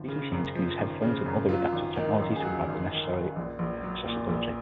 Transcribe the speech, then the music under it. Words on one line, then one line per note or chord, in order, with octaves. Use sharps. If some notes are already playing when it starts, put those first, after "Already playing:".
These machines can use headphones and other adaptive technology to provide the necessary accessibility.
Already playing: G#1 F3
C#3
F#2
F3
G#1
C#3
F#2
F#3 F4
G#1
D#3
F#2
G#4
F#3 F#4
G#1
D#3
F#2
A#1
A#1
F#3
A#2
A#1